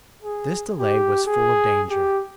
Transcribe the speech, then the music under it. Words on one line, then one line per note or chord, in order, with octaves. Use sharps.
This delay was full of danger.
G#4
G4
G#4
G4